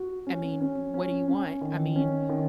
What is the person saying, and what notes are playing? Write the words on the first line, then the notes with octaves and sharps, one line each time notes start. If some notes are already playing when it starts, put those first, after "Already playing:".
I mean, what do you want? I mean,
Already playing: F#4
C#4
C#4
C#4
C#4
D#3
C#4
D#3